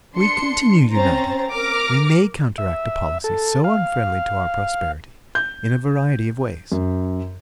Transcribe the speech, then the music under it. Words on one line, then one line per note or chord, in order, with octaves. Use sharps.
If we continue united, we may counteract a policy so unfriendly to our prosperity in a variety of ways.
D4 C6 C#7
C4 C#4 C5 A#5 A6
A#4 D6 F6 A#6
E5
A4
F5
G6
F#2